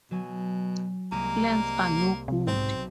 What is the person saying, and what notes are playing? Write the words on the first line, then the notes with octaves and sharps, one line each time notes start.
Plans are no good.
B2 F#3 G#5
C2 G#3 A#3 D#7
C3
B1 G#2 C4